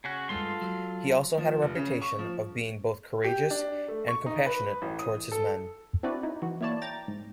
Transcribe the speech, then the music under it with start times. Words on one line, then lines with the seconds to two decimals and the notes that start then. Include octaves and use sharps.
He also had a reputation of being both courageous and compassionate towards his men.
0.04 C#3 C#4 F#4
0.29 G2 G#3 F4 A4 C6
0.61 F#3
1.37 F3
1.62 F1
1.75 C#3
2.02 C#6
2.19 F3
3.24 G4
3.51 D4
3.88 A3
4.08 C#6
4.26 D#4
4.46 B4
4.82 A1
4.99 D#6
5.32 A4
6.03 C4 D4 E4 F#4 B4 D5
6.23 D#4 E4
6.42 E3 F#4
6.61 A#3 E4 C#5 D5 A5
6.82 G5 A#5 A6
7.08 G#2